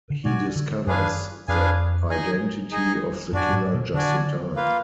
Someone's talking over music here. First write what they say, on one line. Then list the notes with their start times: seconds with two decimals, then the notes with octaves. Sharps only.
He discovers the identity of the killer just in time.
0.10 D3
0.24 B2 F#4 D5 G#5
0.56 D3
0.87 F#2 D4 G#4 B4 F5 G#5
1.48 F2 D4 G#4 B4 F5 G#5
2.09 D#4 G#4 D#5 G#5
2.71 D#4 G#4 D#5 G#5
3.32 F#2 D4 F#4 D5 G#5
3.53 G#2
3.74 B2
3.94 D3 D4 F#4 D5 G#5
4.56 A#3 F4 B4 F5